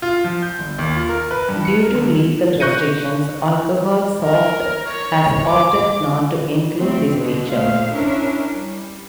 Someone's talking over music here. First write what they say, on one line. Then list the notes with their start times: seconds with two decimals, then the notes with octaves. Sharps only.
Due to legal restrictions, Alcohol Soft has opted not to include this feature.
0.02 F4
0.24 F3
0.42 G6
0.59 G1
0.78 D#2
0.96 F4
1.09 A#4
1.31 B4
1.49 G2
1.65 C#7
1.83 A#4
1.95 D3
2.60 C#6 F#6 G6 A#6 C#7 D#7
4.24 A#4
4.88 C#5
5.47 D6
6.78 F3 A3 C4
7.08 B2 D3
7.49 A#2 A3 C5 F5
7.92 C#4 D4 E4 A#4
8.52 G3